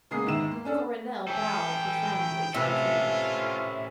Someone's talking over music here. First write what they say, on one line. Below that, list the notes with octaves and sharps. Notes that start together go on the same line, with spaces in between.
Coronel bowed profoundly to the King.
C#3 G#3 A#3 B3 D#6 C7
D#2 G#2 B3 E4 E7
A#3
C#4 D4 A4
E3 A4 G5
A2 C3 C#4 E4 F4 A4 B4